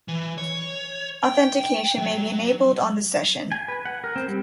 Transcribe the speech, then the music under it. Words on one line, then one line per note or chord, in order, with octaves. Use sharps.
Authentication may be enabled on the session.
E3
C#5
G5
F#3
G#5
B4
F#5
A#4
C4
G3